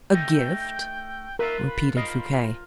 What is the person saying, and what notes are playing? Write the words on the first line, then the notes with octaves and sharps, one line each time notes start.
"A gift?" repeated Fouquet.
A3 D#4 G5
F4 A#4 B4 E5
B5
F4 A#4 C5 D#5 B5